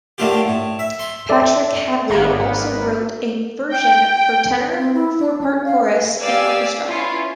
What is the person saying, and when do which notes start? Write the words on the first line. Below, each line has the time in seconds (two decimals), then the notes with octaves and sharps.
Patrick Hadley also wrote a version for tenor, four-part chorus, and orchestra.
0.18 A2 D3 A3 A#3 F4 G4
0.48 A2
0.79 E5
0.99 C6
1.29 A4 D5 E5
2.10 G#1 A#3 B3
3.69 G5
4.07 G5
4.55 B4
4.77 C4
4.94 E4
5.20 D4
5.41 C#4
5.65 F5
5.83 B4
6.20 G4 D5 F5 G#5 E6
6.88 C#4 E4 F4 B4 C#5